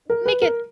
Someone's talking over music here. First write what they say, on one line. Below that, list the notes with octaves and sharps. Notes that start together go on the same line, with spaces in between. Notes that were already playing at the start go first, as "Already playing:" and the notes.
make it
A#4
B4
A#4